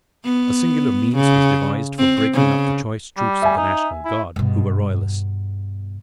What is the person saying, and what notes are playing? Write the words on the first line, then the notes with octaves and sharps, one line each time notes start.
A singular means was devised for breaking up the choice troops of the National Guard, who were royalists.
B3
C#3
C4
C#3
G3
E5 G#5
D#4
E4
G2 B2